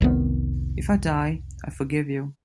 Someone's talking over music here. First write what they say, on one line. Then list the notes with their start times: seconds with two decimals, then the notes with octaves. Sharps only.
If I die, I forgive you.
0.01 F1 C2 D#3 B3